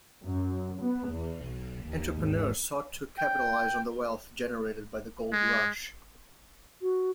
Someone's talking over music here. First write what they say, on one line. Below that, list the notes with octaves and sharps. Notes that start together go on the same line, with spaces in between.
Entrepreneurs sought to capitalize on the wealth generated by the Gold Rush.
F#2
B3
E2
B1
D#2
G#1
G5
G#3
F#4